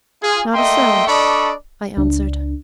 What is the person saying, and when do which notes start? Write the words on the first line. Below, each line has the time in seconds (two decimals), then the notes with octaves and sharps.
"Not a sound!" I answered.
0.23 F4 G#4
0.54 A3 A#3 D#5 E5 G5 C6
1.08 D4 A4 D5 D#5 B5 C#6
1.97 C#2 D4